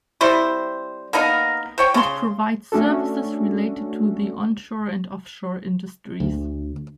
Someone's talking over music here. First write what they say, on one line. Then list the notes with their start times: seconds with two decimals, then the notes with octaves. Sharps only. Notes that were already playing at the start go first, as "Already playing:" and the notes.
It provides services related to the onshore and offshore industries.
0.21 G3 C4 E4 C5
1.13 A#3 B3 D#4 A#4
1.78 C5 C#5 G5
1.94 C#3 C6
2.72 A3 C#4 D4 F#4 A4
6.20 D2